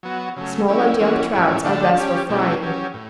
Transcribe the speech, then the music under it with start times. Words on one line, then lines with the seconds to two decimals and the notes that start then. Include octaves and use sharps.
Small and young trouts are best for frying.
0.03 F#3 B3 F#4
0.36 C#3 F#3 A3
0.68 F#3 C#4 E4 G4
1.00 E3 G3 C#4 F#4
1.33 A2 G3 C#4 E4
1.64 D3 A3 D4 G4
1.97 G3 C#4 G4
2.29 B2 A3 C#4 E4 G4
2.62 F#3 C#4 G4
2.94 A2